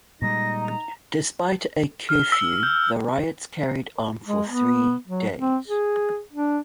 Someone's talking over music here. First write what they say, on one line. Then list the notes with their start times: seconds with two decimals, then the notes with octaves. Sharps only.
Despite a curfew, the riots carried on for three days.
0.22 A#2 G3 G#3 D#4 A#6
0.62 A#5
2.09 F6
2.32 E6
2.63 G6
4.26 G#3
4.48 B3
5.07 F#3
5.39 C4
5.67 G#4
6.33 D4